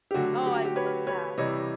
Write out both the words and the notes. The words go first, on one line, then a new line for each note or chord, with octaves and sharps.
Oh, I would love that.
G4
D3 F#3 A3 F#4
G4
F#4
G4
B4 C#5
B4 C#5
C3 E3 G3 C#5 D#5